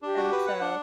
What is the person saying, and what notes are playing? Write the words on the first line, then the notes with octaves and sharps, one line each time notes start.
And so,
D4 G4
F#4
B4
F#5
D4